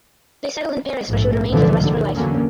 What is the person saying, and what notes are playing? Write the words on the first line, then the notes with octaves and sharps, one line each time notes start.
They settled in Paris where she would remain for the rest of her life.
A#1 G#2 A3
C#2 F#2 A#2 D3 E3 F3
A#2 D3 D#3
E2 D3 F#3 A#3 C#4